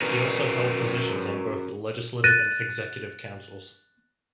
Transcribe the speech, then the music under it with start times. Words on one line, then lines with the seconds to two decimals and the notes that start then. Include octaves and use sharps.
He also held positions on both the Legislative and Executive Councils.
0.02 C#4 F#4 A#4 B4
2.24 F#6 A6 A#6 D#7